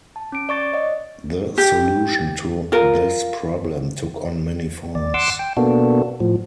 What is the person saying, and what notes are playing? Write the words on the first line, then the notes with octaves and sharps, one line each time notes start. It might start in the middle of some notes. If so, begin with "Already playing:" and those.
The solution to this problem took on many forms.
A5
C#4 D7
D5 C#6 A6
C#5 D#5 F#5
G4
F4 A#4
D#2 D5
F#5 C6 D6 E6
G5
B2 A#3 B3 D4 F#4 A4
A2 F3